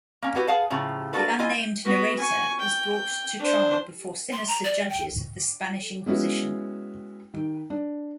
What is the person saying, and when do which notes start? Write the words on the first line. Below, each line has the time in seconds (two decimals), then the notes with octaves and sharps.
The unnamed narrator is brought to trial before sinister judges of the Spanish Inquisition.
0.22 A#3 C#4
0.35 B3 E4 F#4 G4 B4
0.47 G#4 B4 F5 F#5 A5
0.70 A2 C#3 F3 A#5
1.13 A#3 D4 F#4 A4 B4
1.39 E4 F4 D#5 G#5
1.85 B3 F#4
2.19 G#5 C#6
2.60 G5
2.92 G5
3.39 D4 C5
4.32 C6
4.47 A#5
4.64 D5
4.89 G5
6.06 G#3 B3 C#4 E4 F#4
7.34 D#3
7.70 D4